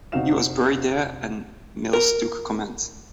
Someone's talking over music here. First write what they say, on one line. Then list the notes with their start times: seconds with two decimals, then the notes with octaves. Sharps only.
He was buried there and Milz took command.
0.12 F1 C4 D#4 F#4 F5 E7
1.93 A#4